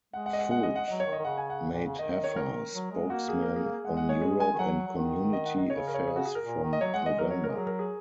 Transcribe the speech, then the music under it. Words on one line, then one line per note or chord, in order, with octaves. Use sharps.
Foot made Heffer spokesman on Europe and Community Affairs from November.
G#3 F#5
F#5
D#5
F#5
F#5
D#5
F#5
F#3 D#5
C#5
D#3
D#5
D#3
C#3 F#5
G#5
F#5
A#2
C#3
D#3 D#5
D#5
C#5
A#4
F#3
G#3
A#3 F#4
G#4
A#4
G#4
G#3 F#5
F#5
C#5
G#4
G#5
D#3
F#3 F#5
F#3
D#3
D#5
F#5
D#5
C#3 C#5
A#4
C#5
G#4
F#4
G#4
A#4
A#2
D#3
D#5
F#3 C#5
G#3 F#5
G#3 D#5
F#3 A#4
C#5
G#3 A#4
F#3 G#4
A#4
G#4